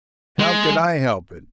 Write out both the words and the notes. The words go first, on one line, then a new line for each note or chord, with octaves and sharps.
How could I help it?
G#3